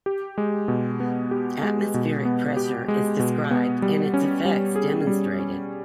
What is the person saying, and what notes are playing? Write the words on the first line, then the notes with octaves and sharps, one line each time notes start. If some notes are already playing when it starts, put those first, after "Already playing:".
Atmospheric pressure is described and its effects demonstrated.
G4
G#3
B2
B3
G4
G#3
B2
B3
G4
G#3
B2
B3
G3
C#4
G3
G#4
G3
C#4